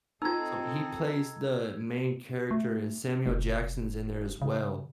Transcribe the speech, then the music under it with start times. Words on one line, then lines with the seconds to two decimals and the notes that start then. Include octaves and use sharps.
So he plays the main character and Samuel Jackson's in there as well.
0.22 C4 D#4 F4 A4 D#5 A#5 E6 G#6
2.51 A3
3.26 F1
4.42 C#3